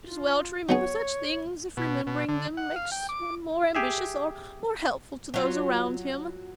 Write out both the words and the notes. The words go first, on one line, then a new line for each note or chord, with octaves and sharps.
It is well to remember such things, if remembering them makes one more ambitious or more helpful to those around him.
F4
F#3 B3 G#4 C#5
B2
B2
D3
F#5
F5
G5
D6
G4 G#4 E5
F#3 F4